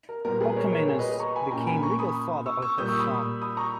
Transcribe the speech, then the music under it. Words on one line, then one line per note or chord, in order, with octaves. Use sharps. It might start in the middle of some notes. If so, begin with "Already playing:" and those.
Orchomenus became legal father of her son.
A#4
A#2 G3 B3 A#4
G#4 B4
A#4 C#5
A#4 C#5
G#4 B4
B4 D#5
A#5 C#6
G#5 B5
A#2 A#3 C#4 G5 A#5
G#5 B5
A#5 C#6
B5 D#6
C#6 E6
C#6 E6
A#2 G3 A#3 D#6 G6
C#6 E6
B5 D#6
B5 D#6
A#5 C#6